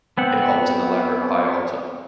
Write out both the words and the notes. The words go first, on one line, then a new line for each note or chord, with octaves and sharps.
It holds an elaborate high altar.
B3 C4 F#5